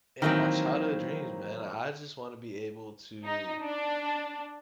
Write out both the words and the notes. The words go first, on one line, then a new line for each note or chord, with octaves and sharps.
Yeah, my childhood dreams, man, I just want to be able to
D#3 E3 F#3 A#3 C4
D#4
D4